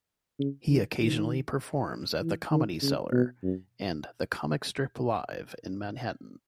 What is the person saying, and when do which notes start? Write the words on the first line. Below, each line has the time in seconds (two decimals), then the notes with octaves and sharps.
He occasionally performs at the Comedy Cellar and the Comic Strip Live in Manhattan.
0.39 C#3
0.70 D#3
1.00 D#3
2.22 E3
2.51 D#3
2.82 C#3
3.13 B2
3.43 F#2